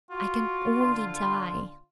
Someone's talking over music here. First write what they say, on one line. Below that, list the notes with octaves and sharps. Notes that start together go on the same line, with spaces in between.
"I can only die."
F4 F#4
D3 C6